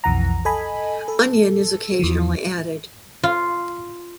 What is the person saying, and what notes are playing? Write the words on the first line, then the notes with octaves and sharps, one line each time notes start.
Onion is occasionally added.
B1 F2 E3 F#5 A#5
A4 D#5 G#5 B5
A4
E2 E3 F3
F4